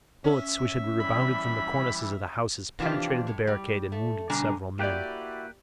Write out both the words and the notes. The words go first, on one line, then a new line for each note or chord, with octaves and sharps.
Bullets which had rebounded from the cornices of the houses penetrated the barricade and wounded several men.
C#4 E5
E3 G3 E4 B5
C3 E3 F3 D4 F4 G4
A2
G3
A3
B2 D3 G3 D4 G#5 A#5
A#3 E4 F#4 G4 B4 D5 G5